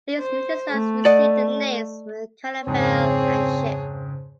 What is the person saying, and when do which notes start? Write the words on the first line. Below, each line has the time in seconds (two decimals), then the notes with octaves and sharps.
These new designs received the names of caravel and ship.
0.20 C5
0.72 A3
1.05 D5 D#5 F#5
2.67 F2 G#2 C#3 C4 C#4 G#4 C#5